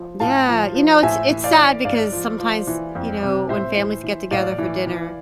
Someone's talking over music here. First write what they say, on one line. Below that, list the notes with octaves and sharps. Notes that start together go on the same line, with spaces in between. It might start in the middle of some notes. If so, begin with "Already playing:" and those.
Yeah, you know, it's it's sad because sometimes, you know, when families get together for dinner,
Already playing: F3
A2 F5 A5
F3
F3
A2 E5 G#5
E3
D5 F5
E3
G#2 D5 F5
F3
F3
E3
F2
C3
A2 C5 E5
E3
E3
A2 D5 F5
E3
E3